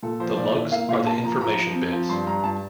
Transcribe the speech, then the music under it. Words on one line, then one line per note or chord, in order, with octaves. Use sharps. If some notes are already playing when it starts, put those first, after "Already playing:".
The lugs are the information bits.
A#2 A4
F3 C5
A#2 D5
E4 E5
A#3 F5
A#2 F5
A#3 A5
F3 A#5
F3 A#5
F3
C4
F3
G2 C6
G2 A#5
G2 A5